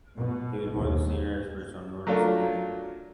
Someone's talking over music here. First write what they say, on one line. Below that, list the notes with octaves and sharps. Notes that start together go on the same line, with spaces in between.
He was one of the senior experts on Nordic security.
B2
D#2
F#3 A3 D4 F4 A#4